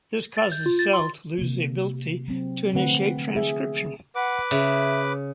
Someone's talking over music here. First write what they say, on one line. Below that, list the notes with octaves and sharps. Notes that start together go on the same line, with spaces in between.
This causes the cell to lose the ability to initiate transcription.
A6
G6
F4
A6
C6
C3 A#3
F#3 C4
D3 F3 A3 C4 B4 F#5
G#4 E5
B4 F#5 D6
C#3 E5